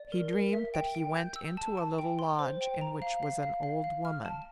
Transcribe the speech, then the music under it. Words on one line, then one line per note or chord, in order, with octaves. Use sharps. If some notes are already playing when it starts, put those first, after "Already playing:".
He dreamed that he went into a little lodge in which was an old woman.
Already playing: D5
A#4
A#4
E5
G5
G5
G6
E6
A5
A5
G5
C6
C5
G5
A#5
F5
F5
F5
F5
F5
F6
A5